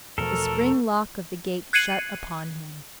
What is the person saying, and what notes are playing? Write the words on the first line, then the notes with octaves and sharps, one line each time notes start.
The spring-lock of the gate shut upon him.
E2 B2 F3 A3 A4 A#4
F#6 G#6 C7 C#7 D#7 F#7